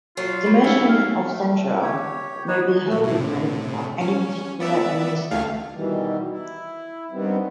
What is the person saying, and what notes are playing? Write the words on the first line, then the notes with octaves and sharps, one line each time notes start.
The motion of censure may be for the whole government or any particular minister.
F#3 F4
G3
A3 C#4 D#4 E4 G4 A4
F5
A3
G4 C#5
D#4 F#4 B4 C#5
B2
A2 C3
C#4
B3 D5 E5
D2 A3 F5
B2 D#3 E3 G3
E4
G2 D#3 G3 B3 C4